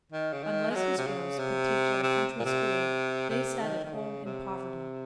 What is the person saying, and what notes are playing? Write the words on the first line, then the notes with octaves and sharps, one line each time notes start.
Unless his girls could teach a country school, they sat at home in poverty.
D#3
C#3
D#3
G#3
F#3
C3
C#3
C3
C3
A#2
C3
C3
D#3
D#3
C#3
C3